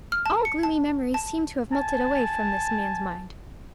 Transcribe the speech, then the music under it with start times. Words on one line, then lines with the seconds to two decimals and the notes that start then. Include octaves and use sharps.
All gloomy memories seemed to have melted away from this man's mind.
0.12 F6
0.26 A5
0.45 C#7
0.63 A5
1.14 A5
1.72 G#5 A5